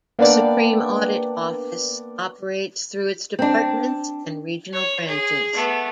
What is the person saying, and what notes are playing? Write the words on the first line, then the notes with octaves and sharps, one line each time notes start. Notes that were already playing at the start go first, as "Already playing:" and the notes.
The Supreme Audit Office operates through its Departments and Regional Branches.
A#3 B3 D4 B4 D5 G5
C4 D4
C#5
G#4
A3 B3